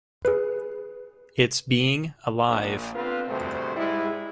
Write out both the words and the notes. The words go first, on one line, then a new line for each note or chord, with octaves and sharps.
It's being alive.
G#4 B4
A#1
D3 B3 C4 F4 B4
G#1 D2 G2 C3 A3 C5
G#2 G3 G#3 E4